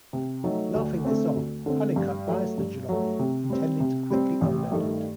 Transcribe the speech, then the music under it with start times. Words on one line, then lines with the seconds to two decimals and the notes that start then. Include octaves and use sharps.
Laughing this off, Hunnicut buys the jalopy, intending to quickly unload it.
0.13 C3
0.44 F#3 A3 D#4 A4
0.74 D2
1.05 D3 A3 C4
1.35 D2
1.66 D3 A3 C4
1.96 G2
2.28 F#3 A3
2.58 G2
2.89 F#3 A3
3.19 C3
3.50 G3 C4
3.80 C3
4.10 G3 C4
4.41 A1
4.72 G2 D#3 A3